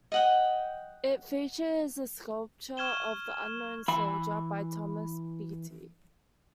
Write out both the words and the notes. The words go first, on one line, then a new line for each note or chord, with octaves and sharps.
It features a sculpture of the Unknown Soldier by Thomas Beattie.
D#5 F#5 G5
C#6 F6 G#6 E7 G7
E3 B5